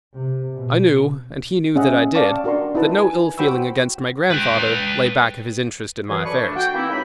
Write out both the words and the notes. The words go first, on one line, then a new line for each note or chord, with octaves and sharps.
I knew—and he knew that I did—that no ill feeling against my grandfather lay back of his interest in my affairs.
C3
B2
C#4 G#4 D#5 E5 F#5
D5 F5 G5 A5 C#6 D6
D4 F#4 A#4 A#5 C6 C#6
D#4 E4 F#4 B4 A5
G#5 A5
F#4 C5 G5 B5 C#6 E6
B4 G5
F#2 E3 G#4
A4 B4 D5 C#6
A3 D4
F#4 G5
E3 A#3 C4 D#4 E4
C#2 D#4 B5